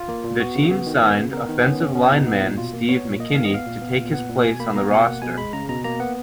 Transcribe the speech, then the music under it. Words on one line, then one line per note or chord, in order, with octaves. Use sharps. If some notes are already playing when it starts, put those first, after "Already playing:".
The team signed offensive lineman Steve McKinney to take his place on the roster.
Already playing: F4
A#3
A#2
B3 F#4
C#3
B3
D#3
B3 A#4
C#3
B3 A#4
D#3
B3 C#4
C#3 C#4
B3 C#4
B2 D#4
B3
A#2
B2 F4
A#3
B3 C#5
A#2
A#3 D#5
D#3 F5
D#5
B3 F5
A#2
B3
A#2
B3 F#5
A#2
B2 G#5
A#3 B5
B3 A#5
B2 G#5
A#3 F#5
B2 G#5
G#3 B5
C#3 A#5
B2 A#5
A#3 A#5
B3 F#5